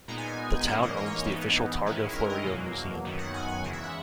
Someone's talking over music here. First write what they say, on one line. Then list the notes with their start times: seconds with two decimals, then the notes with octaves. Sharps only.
The town owns the official Targa Florio Museum.
0.08 A#2 G#3 B3 D#4 A#5
0.18 G#5
0.28 G#5
0.67 G#2 E3 A#3 C#4 F#5
0.83 D#5
0.97 C#5
1.06 D#5
1.26 G#2 E3 B3 D#4
1.85 D#3 G#3 C#4 E4 B4
2.16 A#4
2.30 D#5
2.45 E2 B2 F#3 A#3
3.05 F#2 D#3 F#3 B3
3.19 F#5
3.34 G#5
3.48 G#5
3.64 E2 C#3 E3 G#3 F#5
3.73 E5
3.83 F#5